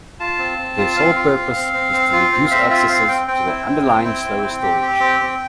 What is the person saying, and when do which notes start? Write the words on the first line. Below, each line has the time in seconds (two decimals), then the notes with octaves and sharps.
Their sole purpose is to reduce accesses to the underlying slower storage.
0.20 F4 A5
0.39 C4
0.58 C4
0.77 F4
0.97 C4 F5
1.16 F4
1.36 C4
1.55 C4
1.73 C4
1.93 C4
2.12 F4
2.32 C4
2.51 C4 E5
2.70 F4 E5
2.89 C4 F5
3.08 C4 G5
3.27 C4 G5
3.47 E4
3.66 C4
3.85 C4
4.05 E4 G5
4.24 C4
4.43 C4
4.62 G4
4.82 G4
5.00 C4
5.20 C4